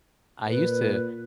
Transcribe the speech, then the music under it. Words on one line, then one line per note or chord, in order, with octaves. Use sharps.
I used to
A#2 B4